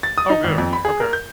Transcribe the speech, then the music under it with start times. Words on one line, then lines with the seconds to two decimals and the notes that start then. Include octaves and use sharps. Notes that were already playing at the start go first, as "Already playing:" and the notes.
Oh, good, okay.
0.03 A6
0.18 D#6
0.30 D#4
0.44 G#1
0.58 F2
0.73 B5
0.85 G#4
1.00 A#4
1.13 G6